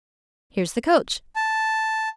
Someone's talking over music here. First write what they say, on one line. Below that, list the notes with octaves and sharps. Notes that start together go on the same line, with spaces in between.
Here's the coach.
A5